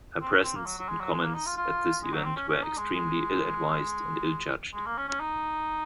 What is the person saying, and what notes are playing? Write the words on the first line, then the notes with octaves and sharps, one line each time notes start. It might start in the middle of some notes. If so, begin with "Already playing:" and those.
Her presence and comments at this event were extremely ill-advised and ill-judged.
C4
C#4
C4
A#3
F#3
F#3
G#3
F#3
G#3
A#3
D#4
F4
F4
G#3
F#3
C4
C#4
C#4
D#4
G#3
G#3
G#3
A#3
C#4
C#4
D#4